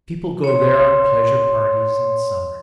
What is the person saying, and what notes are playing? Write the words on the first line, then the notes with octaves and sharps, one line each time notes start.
People go there on pleasure parties in summer.
C#5 C6